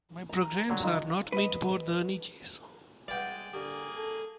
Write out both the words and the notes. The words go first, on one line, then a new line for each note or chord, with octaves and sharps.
My programs are not meant for the niches.
A#5
D3 F#3 G3
D#4 F4
B4 D#5
G3 G#3 B4 D5 F#5 G5
D3 A#3 G4 G#4
A4